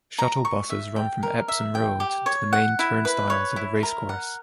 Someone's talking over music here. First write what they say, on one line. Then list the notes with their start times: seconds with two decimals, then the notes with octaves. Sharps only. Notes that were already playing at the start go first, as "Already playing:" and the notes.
Shuttle buses run from Epsom Road to the main turnstiles of the racecourse.
0.19 A#5
0.45 C#6
0.70 E5
0.96 G5
1.23 A#4
1.48 E5
1.75 G5
2.00 G4
2.26 C#5
2.53 F#5
2.79 E4
3.05 B4
3.30 C#5
3.56 E4
3.83 A#4
4.09 F#5